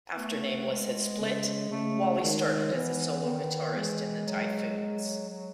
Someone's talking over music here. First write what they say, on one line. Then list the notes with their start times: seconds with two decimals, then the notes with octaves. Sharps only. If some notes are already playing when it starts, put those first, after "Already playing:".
After Nameless had split, Walli started as a solo guitarist in The Typhoons.
0.16 A3 B3
0.68 G#3
1.20 C#3
1.70 C#3 A3
2.18 A3
2.22 D#3 G#3
2.72 E3 B3
3.24 D#3 B3
3.75 E3 G#3
4.26 F#3
4.78 F#3
5.29 F#3